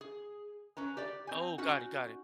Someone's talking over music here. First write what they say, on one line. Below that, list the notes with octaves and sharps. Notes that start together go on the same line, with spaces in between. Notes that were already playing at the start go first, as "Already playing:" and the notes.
Oh, got it, got it.
G#4
C#4 B4 A#5
G4 D5
C4 G#5
C#4 D#4 F#4 F#5